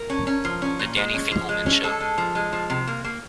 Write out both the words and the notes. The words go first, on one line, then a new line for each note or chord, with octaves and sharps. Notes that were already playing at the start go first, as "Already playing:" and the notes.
The Danny Finkleman Show.
Already playing: A#4
C#4
C#4
F3
C#4
A#2
G#3
C#4
F3
G#3
C#4
G#3 A4
G#3
F3
G#3
F3
C3
A#3
A#3